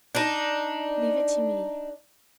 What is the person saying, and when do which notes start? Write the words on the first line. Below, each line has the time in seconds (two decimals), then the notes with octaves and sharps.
Leave it to me.
0.15 D4 D#4